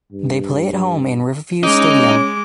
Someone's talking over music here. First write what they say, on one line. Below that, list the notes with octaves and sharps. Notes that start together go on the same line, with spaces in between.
They play at home in Riverview Stadium.
G2
G#3 C#4 D#4 D#5 D6